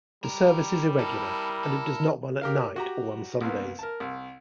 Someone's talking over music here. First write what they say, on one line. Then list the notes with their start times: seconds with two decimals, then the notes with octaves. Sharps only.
The service is irregular, and it does not run at night or on Sundays.
0.24 G3 G#3 A#4
0.99 C4 E4 A4 A#4
1.63 A4
2.41 G4 A#4 F5
2.76 F#4 G4 A#5
3.41 C2 A#3 B3
3.79 A#4 A5
4.00 C2